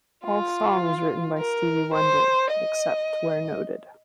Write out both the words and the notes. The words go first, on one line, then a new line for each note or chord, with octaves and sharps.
All songs written by Stevie Wonder, except where noted.
F4
A#4
C5
D#5